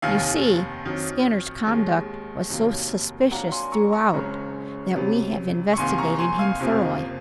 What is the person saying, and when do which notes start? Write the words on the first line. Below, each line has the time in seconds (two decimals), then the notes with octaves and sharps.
You see, Skinner's conduct was so suspicious throughout that we have investigated him thoroughly.
0.02 F1 D#2 D#3 F5 G#5
0.85 F2 D#3 F#3
1.67 D#2 D#3 G#3
2.49 F1 D#2 D#3 F#3 A#3
3.31 A#1 A#2 F#3 A#3 F#5 A#5
3.52 G#5 C6
3.72 A#5 C#6
3.92 A#5 C#6
4.13 F#1 F#2 C#3 G#3
4.95 C#2 C3 F#3
5.73 C#6
5.77 C2 C3 D#3 A#3 G#5 C6
5.98 A#5 C#6
6.19 G#5 C6
6.39 F5 G#5
6.60 F#1 F2 C3 F3 A#3